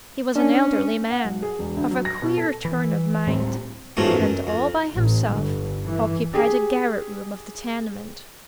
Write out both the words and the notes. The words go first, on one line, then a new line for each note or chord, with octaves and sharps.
He was an elderly man, of a queer turn of mind, and, all by himself, occupied a garret room of the tenement.
C#4 D4
F#5
B1
G#4
E1
D2
F#3
A#6
B2
A4
E3
D1 A2 G3 C4
A1 G#2 B2 F3 F#3 A3
F#2
F2
A1
G1
E3
G4 G#4